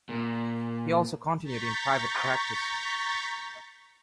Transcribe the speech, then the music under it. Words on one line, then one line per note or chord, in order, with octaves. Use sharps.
He also continued in private practice.
A#2
A#5 C#6 G6 A6 B6